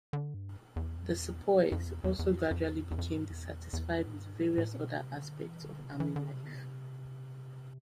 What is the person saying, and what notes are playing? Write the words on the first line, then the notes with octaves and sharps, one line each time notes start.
The sepoys also gradually became dissatisfied with various other aspects of army life.
D3
G2
E2
F2
E2
F2
E2
E2
E2
F2
F2
E2
F2
E2
F2
G2
E2
F2
E2
E2
F2
A2
G2
A2
A2
B2
C3
D3
E3
D3
C3
E3
D3
C3
D3
C3